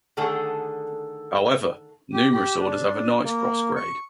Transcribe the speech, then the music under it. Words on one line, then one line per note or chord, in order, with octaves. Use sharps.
However, numerous orders have a Knight's Cross grade.
D3 D#3 A3 G#4 A4 F#5
G4
G4
D4
A#3
C#6